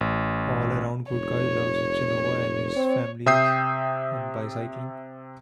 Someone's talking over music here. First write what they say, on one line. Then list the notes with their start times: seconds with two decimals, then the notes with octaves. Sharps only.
An all around good guy, loves Jehovah, his family and bicycling.
0.01 A1
1.12 F1 C#5
2.76 C4
3.26 C3 E5 G5 D#6 G6 C7